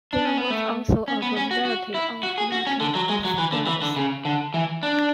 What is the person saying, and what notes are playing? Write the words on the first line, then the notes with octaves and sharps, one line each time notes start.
There was also a variety of market stalls.
D4
C#4
B3
A3
C#4
B3
C#4
F#4
F#4
E4
F#4
G#4
F#4
C#4
D3
F#3
G#3
F#3
E3
D3
E3
D3
C#3
D3
E3
D4